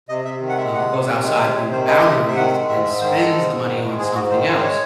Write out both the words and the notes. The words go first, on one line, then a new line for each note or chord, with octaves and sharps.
um, goes outside the boundaries and spends the money on something else?"
C3 D#5
C3 E5
D#3
F#5
G#3 E5
C3 F#5
C3
D#3
G#3
C3 E5
C3 C#5
D#3 C5
G#3 D#5
D#5
C3 E5
C3
E5
D#3 F#5
G#3
G#2 E5
G#2 E5
D#3 C5
G#3 A4
G#2
G#2
D#3
G#3
G#2 G#4
G#2 F#4
D#3 C5
G#3 C5
C5
C#5